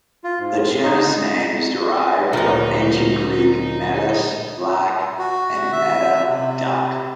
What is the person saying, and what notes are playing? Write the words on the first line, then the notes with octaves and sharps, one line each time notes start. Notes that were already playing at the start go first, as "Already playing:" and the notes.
The genus name is derived from Ancient Greek "melas", "black", and "netta", "duck".
F4
G#2
C6
D#4
D2 A#2 F#3 D#4 A#4
F#4
E5
C3